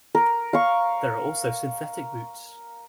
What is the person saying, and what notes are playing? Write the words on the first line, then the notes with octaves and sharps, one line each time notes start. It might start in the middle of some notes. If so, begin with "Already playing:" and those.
There are also synthetic boots.
A#4
F5 C#6